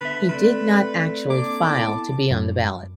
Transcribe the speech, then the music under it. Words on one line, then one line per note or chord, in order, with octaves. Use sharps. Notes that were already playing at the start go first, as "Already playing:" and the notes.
He did not actually file to be on the ballot.
D3 B3 B4 E5
A3 C4 A4 B4 D5
A#3 D4 D6
B3 E4 A5
F#2